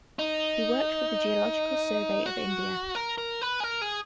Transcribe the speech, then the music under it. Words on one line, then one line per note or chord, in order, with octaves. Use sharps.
He worked for the Geological Survey of India.
D#4
F#4
A#4
A#4
B4
G#4
A#4
G#4